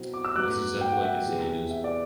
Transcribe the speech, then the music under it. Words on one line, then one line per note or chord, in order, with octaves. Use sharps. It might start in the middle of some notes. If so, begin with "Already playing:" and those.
It’s exactly like they say it is.
Already playing: B2 F#3 C4 E4
D6
E6
A2 F#3 B3 D6 F#6
G5
F#5
E5 G5
E2 C3 E3
E5
D5